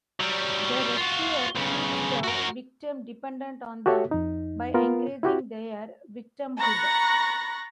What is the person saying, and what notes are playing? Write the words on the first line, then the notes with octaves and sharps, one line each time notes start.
The rescuer keeps the victim dependent on them by encouraging their victimhood.
F#3 G3
F4 F#4
B1 C#3
F#4 A#4
F#4 G4 A4 C#5 E5
F2 D#4
B3 F4 A#4
E4 F#4 G4
A#5 B5 C#6 F#6 A6 A#6